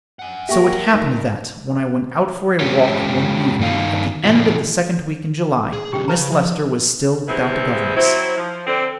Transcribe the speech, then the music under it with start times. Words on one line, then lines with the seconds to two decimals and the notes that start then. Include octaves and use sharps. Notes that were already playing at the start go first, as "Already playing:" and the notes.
So it happened that, when I went out for a walk one evening, at the end of the second week in July, Miss Lester was still without a governess.
0.19 F#5 G#5
0.49 G3 A#3 G4 A#4 E5 G5 A#5 C#6
0.93 G2 D#4
2.60 G#3 C#4 F4 G4 A4 C#5
3.59 G2 D#3 D#4 F5
4.24 A#2 D3 E3 F3 C4 E4
5.73 G#4
5.93 B1 D3 G4 G5
6.08 C#3 B4 F5 A5 A#5
6.32 F3
7.28 E2 G3 B3 C4 E4 G#4
7.96 F#3 C4 E4
8.37 F3
8.67 D3 C4